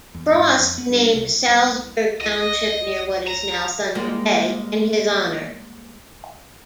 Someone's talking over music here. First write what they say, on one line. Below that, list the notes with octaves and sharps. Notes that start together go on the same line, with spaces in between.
Frost named Salsberg Township near what is now Thunder Bay in his honour.
E2
G#2
F2
B3
G2
C2
C2
C#2 D#5
A#5
G3 G#3 A#3